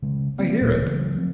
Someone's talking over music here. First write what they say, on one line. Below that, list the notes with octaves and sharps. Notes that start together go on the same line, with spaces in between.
I hear it.
C#3 G#3
F#3 A#3 C4
D1 A#2 A#3
C#3 E3 F#3 A3
F3 C4